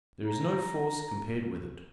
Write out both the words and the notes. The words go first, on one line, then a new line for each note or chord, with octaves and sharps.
There is no force compared with it.
A#5